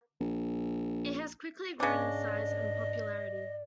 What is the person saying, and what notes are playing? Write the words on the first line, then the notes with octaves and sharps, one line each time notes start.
It has quickly grown in size and popularity.
A#1
G#2 C#3 D4 D5 D#5